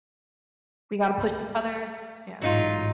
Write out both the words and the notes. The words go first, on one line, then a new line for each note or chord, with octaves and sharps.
we gotta push each other, yeah.
A1 G#2 F#3 D#4 F4